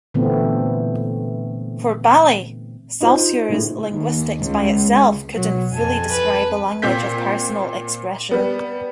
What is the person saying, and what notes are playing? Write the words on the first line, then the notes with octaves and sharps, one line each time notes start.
For Bally, Saussure's linguistics by itself couldn't fully describe the language of personal expression.
A#2 D3 E3 A3 B3 C4
D#4 F4 C5
A2 C#3
D#2
C#2
B2 F#3
F2 G#5 A5
B4
A#2 C4 G6 B6
G3 B3